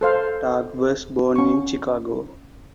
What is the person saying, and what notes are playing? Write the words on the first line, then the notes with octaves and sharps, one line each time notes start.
Targ was born in Chicago.
A4 C5 F5
C#4 C#6